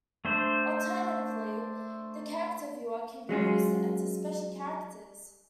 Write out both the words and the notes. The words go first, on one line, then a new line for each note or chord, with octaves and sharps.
Alternatively the Character Viewer can be used to enter special characters.
A3 D4 C5
F#3 G#3 C#4 F4